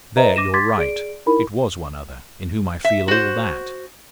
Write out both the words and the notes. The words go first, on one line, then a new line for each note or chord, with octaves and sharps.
"There, you're right, it was one other, in whom I feel all that."
B4 C5 D#5 E5 A#5
D6 A#6 D#7 E7
C6 D6 G#6 A6 B6
G#4 D5 D7
D#4 E4 A#4 B5
E5
F#4 C5